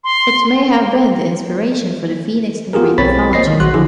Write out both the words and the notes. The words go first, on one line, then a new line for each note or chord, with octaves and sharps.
It may have been the inspiration for the phoenix in Greek mythology.
C6
B3 F4 G4 G#4 A#4
B1 C4 C#5 B5 A6 B6
A#3 C5 D#5 A#6 C7
D#3
A#1 F#4 C6 F#6
D3 F3 E4 G#4